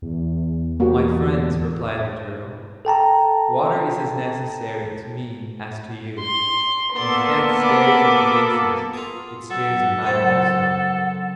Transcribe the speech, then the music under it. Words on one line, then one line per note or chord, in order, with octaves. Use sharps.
'My friends,' replied the turtle, 'water is as necessary to me as to you, and if death stares in your faces, it stares in mine also.
E2
A#3 F#4 G4
A4 G5 A5 A#5
C6
A#3 B3 A4 D5 C6
B5 D6
F4 G#4
F#3 A4 F#5
F#2 C#3 C4